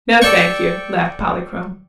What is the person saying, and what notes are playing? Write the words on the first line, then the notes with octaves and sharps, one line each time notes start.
"No, thank you," laughed Polychrome.
A4 D5 G5 C#6